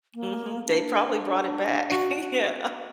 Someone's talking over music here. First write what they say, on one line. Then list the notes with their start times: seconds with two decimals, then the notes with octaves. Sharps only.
Mhm. They probably brought it back. Yeah,
0.15 A#3
0.66 D4
1.92 F#4